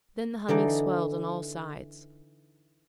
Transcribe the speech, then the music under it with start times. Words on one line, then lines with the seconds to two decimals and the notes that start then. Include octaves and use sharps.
Then the humming swelled on all sides.
0.48 D3 E3 D#4 D5